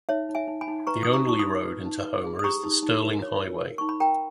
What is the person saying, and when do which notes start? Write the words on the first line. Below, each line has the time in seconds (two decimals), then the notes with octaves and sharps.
The only road into Homer is the Sterling Highway.
0.09 D#4 C#5 E5
0.29 D#4
0.35 E5 G#5
0.47 D#4
0.61 G#5 B5
0.68 D#4
0.87 B4 A#5 C#6
1.03 D#4 D#6
1.13 A#5 C#6
1.27 D#4 C#6
1.39 B5 D#6
1.46 D#4
1.65 B4
1.85 D#4
2.05 B4
2.24 G#4
2.39 D#6
2.44 G4 A#5 C#6
2.64 D#4
2.83 D#4
3.02 A#4
3.22 C#5
3.42 A#4
3.61 A#4
3.78 D#4 C#6
3.89 B5
4.00 A#4 G5 A#5